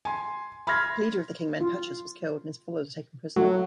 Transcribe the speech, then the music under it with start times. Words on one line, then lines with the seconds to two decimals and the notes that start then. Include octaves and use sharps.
The leader of the king-men, Pachus, was killed and his followers were taken prisoner.
0.05 G#5 C6
0.67 B5 C6 F6 G#6 A#6
1.61 F4
3.36 F#3 A3 F#4